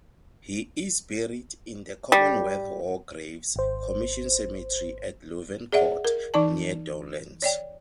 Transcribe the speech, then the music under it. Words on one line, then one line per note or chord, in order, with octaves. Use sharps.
He is buried in the Commonwealth War Graves Commission cemetery at Louvencourt, near Doullens.
G3
G#1 C5
G#4 D5 E5 F#5
A#4
E3 D#4 D5 A5
C#5 D5 G5